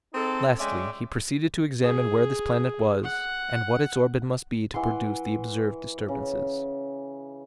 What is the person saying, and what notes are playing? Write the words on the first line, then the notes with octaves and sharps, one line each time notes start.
Lastly he proceeded to examine where this planet was, and what its orbit must be to produce the observed disturbances.
C4 D#4 G#4 A4
G#3 C#4 D5 E5 G5
G#4
F#5
E3 F#5 C6
C#3